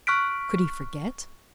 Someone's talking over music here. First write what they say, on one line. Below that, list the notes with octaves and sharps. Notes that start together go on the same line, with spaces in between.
Could he forget?
C#6 F6 F#6 B6 D7